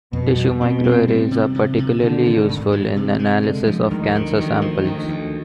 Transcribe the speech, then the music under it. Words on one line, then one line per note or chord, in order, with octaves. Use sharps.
Tissue microarrays are particularly useful in analysis of cancer samples.
F2 B2
G3
B2 C4
C4
G3
C3
C3
C3
D3 D#3
D#3
G#2
G#3
C3
G#3
D3 G#3
F3
D2 D#3
D3
D2 D#3
F3
D2 D#3
D2